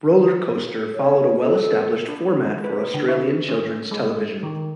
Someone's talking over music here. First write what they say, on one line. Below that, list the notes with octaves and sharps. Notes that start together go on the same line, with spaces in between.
"Rollercoaster" followed a well-established format for Australian children's television.
C#5
A4
D4
G#3
B4
D3
E4
C#4
G#3
D#3